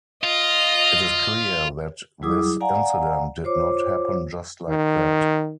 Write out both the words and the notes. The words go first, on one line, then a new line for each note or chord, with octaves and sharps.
It is clear that this incident did not happen just like that.
F4 D#5
F#3 G3 E4 G#4 D6 D#6
D5 F5 F#5 G#5 A#5
F4 C5 C#5 D6
D#3